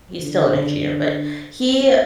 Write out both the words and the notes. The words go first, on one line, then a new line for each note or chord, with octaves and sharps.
He's still an engineer, but he
D3